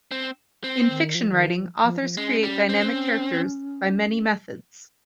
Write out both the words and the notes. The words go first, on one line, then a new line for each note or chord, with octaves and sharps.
In fiction writing, authors create dynamic characters by many methods.
C4
C4
D#3
F3
D#3
F3
F3
F3
G#3 C#4
G3
C4